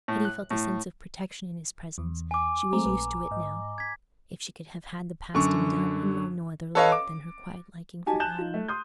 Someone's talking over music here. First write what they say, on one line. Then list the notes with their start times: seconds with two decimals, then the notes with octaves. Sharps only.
Hetty felt a sense of protection in his presence--she was used to it now: if she could have had the past undone and known no other love than her quiet liking for Adam!
0.08 A2
0.25 F#6
0.51 A2
1.98 E2
2.31 G#5 D6
2.73 G#3 A3 C4 A#5
2.85 A#1 B4
3.31 G#2 D#5
3.78 G#6 B6
5.34 F#2 D3 C#6
6.75 A4 B4 C#5 D#5 F5
6.92 D6
8.06 D#4 F#4 G4 G#5 A5
8.20 G#5 A5 F#6 G6 E7
8.38 D#4 F4
8.54 A3
8.68 C6 D#6 G6